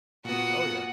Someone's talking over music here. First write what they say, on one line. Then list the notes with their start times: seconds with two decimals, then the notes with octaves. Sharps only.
Oh, yeah.
0.25 A#2 B3 F#4 F#5 D#6